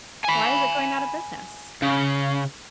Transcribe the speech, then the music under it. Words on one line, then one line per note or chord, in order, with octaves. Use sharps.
Why is it going out of business?
G#5 B5
C#3